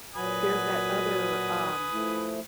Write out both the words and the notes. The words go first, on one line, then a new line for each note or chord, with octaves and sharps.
there's that other, um
A#2 F#3 F#4 B4 G#5 D#6
F3 A3 E4